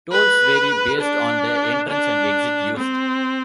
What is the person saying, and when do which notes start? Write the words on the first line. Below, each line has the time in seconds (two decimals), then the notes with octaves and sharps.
Tolls vary based on the entrance and exit used.
0.12 B4
1.01 D4
1.89 D4
2.77 C4